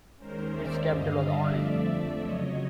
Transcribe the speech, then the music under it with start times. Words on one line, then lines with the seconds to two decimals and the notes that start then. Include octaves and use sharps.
Its capital was Arnhem.
0.17 D#2 D#3 G#3 C#4 A#4 C5
0.50 D5 E5
0.85 G2 D3 G3 D#5 F5
1.18 D5 E5
1.52 F2 D3 F3 A3
1.86 D5 E5
2.19 F2 C#3 F#3 C#5 D#5